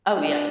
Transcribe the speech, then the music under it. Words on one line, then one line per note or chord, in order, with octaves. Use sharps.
Oh, yeah.
D4